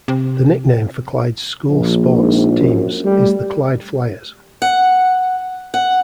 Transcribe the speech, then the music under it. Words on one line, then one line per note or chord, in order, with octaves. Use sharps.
The nickname for Clyde's school sports teams is the Clyde Fliers.
C3
A#1
G#2
F#2
G3 A3
F#5
F#5